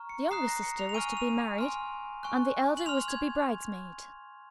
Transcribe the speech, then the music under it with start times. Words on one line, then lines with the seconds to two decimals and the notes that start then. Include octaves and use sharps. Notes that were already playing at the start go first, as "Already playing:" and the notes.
The younger sister was to be married, and the elder was to be bridesmaid.
Already playing: A#5 C#6 F6
0.09 C#7
0.31 A#5 D#6 F#6 C7
0.48 A#6
0.63 C#7
0.79 F7
0.89 F7
0.94 G#5 C#6 F6 D#7
1.17 F7
1.58 G#5 C6 F6
2.23 G#5 C#6 F#6
2.77 F#7
2.86 C6 F6 F7
3.08 G#6